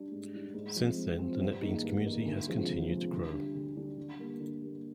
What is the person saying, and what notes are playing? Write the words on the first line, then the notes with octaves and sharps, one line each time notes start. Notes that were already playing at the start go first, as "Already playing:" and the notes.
Since then, the NetBeans community has continued to grow.
Already playing: G3 D4
G#2
G3 D4
G#2
F3 C4
G#2
F3 C4
G2
D#3 A#3 D#4 G#4
G2
D#3 A#3 D#4 G#4
D2
C3 F3 G#3
D2
C3 F3 G#3
D2
D3 G3 D4
D2
D3 G3 D4
D3
G3 A#3
D3
G3 A#3